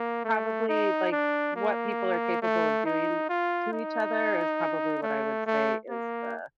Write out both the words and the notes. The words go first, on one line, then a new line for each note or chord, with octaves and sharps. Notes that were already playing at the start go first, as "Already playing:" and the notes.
probably, like, what people are capable of doing to each other is probably what I would say is the,
Already playing: A#3
A3
D#4
D4
A#3
A3
D#4
F4
D#4
A3
A3
A#3